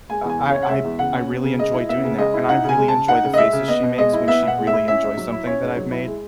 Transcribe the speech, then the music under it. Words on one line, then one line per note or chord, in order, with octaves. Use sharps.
I I I I really enjoy doing that, and I really enjoy the faces she makes when she really enjoys something that I've made.
G#3 G#5
E2 G#5
C#3
C#4 C#5
F#5
G#3 E5
E2
C#3 F#5
C#4
B3
C#3
G#3 D#5
E4
B3 E5
C#3
G#3 D#5
E4
D#4 F#5
C#3
G#5
G#3
C#3 A5
D#4 F#5
C#3
D#5
G#3 E5
C#3
B3 D#5
B2
G#3 D#5
E4
B3 E5
B2 F#5
G#3
E5
E4
C#4 E5
G#2
F#3
E4
C#4 C#5
G#2
F#3
E4
G#3